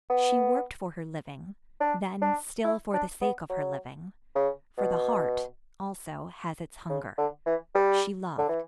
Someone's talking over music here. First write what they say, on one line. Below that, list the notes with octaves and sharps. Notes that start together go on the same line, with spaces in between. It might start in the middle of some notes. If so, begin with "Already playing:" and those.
She worked for her living; then, still for the sake of her living,--for the heart, also, has its hunger,--she loved.
B3
D4
D4
E4
D4
B3
F#3
C#3
B2
C#3
D3
E3
G3
D3
E3